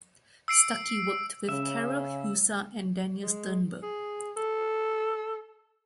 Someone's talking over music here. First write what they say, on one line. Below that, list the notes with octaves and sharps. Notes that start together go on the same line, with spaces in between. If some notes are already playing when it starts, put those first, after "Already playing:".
Stucky worked with Karel Husa and Daniel Sternberg.
E6 C7 D7
C#3 E5
G#3
G#4
A4